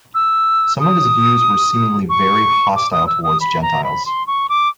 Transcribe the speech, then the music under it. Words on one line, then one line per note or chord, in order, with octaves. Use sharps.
Some of his views were seemingly very hostile towards gentiles.
E6
D#6
C#6
D6
D#6
E6
D#6
B5
A#5
B5
C6
C#6
D6